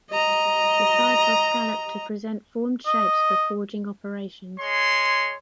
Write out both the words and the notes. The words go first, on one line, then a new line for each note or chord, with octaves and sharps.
The sides are scalloped to present formed shapes for forging operations.
D#5 A#5
D#5
G#3 C#5 C6